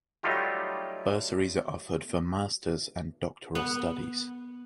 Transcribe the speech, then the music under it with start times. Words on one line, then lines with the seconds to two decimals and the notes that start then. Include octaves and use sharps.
Bursaries are offered for Master's and doctoral studies.
0.23 F#3 G3 A3 D#4 F4 G4
3.55 B3